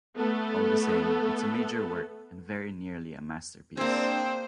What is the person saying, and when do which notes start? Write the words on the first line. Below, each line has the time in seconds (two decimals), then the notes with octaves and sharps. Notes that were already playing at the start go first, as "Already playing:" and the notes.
All the same it's a major work and very nearly a masterpiece...
0.15 A3 B3 A4
3.77 A#3 C4 D4 G#4 C5